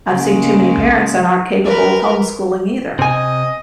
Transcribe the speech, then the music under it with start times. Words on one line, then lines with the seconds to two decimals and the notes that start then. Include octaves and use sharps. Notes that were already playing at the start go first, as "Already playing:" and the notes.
I've seen too many parents that aren't capable of homeschooling either.
0.12 C#3 G#3 A#3
1.64 A#4 B4
2.99 C3 D#5 G#5